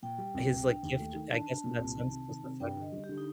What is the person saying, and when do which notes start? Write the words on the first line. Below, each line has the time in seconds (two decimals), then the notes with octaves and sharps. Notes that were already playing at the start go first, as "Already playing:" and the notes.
his, like, gift I guess in that sense was the fact that he
0.02 A#2 G5
0.18 G3
0.34 C2
0.51 C2
0.67 D4
0.83 D#2
0.99 A3
1.15 D#3
1.31 D4 A5
1.47 D4
1.64 A#2
1.79 C2
1.96 D#3
2.12 C3
2.28 D#3
2.44 C3
2.60 G2 G5
2.77 D3
2.82 D#5
2.92 G3
3.04 G4
3.09 D3
3.18 D#4